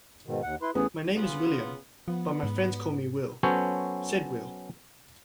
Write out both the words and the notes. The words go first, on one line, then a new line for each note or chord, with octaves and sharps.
"My name is William, but my friends call me Will," said Will.
G#2 B2 D#3
D#2 F#5
E4 B4 C6
A1 B3 G#4
C#3 B3 F4
F3 B3
G#2
F#3 B3 C#4 A4 C5 C#5